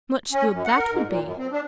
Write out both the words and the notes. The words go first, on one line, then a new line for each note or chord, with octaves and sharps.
"Much good that would be!"
C#4
F#2
F#5
A#4
G#2
A#2
F#2
C4
D4